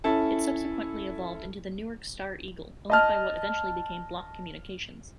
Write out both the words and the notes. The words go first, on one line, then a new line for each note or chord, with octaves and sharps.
It subsequently evolved into the "Newark Star-Eagle", owned by what eventually became Block Communications.
C#4 E4 A4 A5
D#5 A5 F6